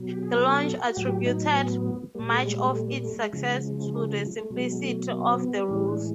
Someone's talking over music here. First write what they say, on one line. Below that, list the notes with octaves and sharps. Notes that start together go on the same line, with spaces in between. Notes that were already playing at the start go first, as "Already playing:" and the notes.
Delonge attributed much of its success to the simplicity of the rules.
Already playing: B2 F#3
G4
G#4
A4
F#4
A2 F#3 G4
D#4
C4
B3
A#2 G3 A#3
A3
G#3
G#3
A3
A#3
A3
G#3
C#3 F3 G#3
A3
B2 F#3 G#3
G#3
A3
A#3
C4
B3
A2 E3 G#3 C#4
C#4
D4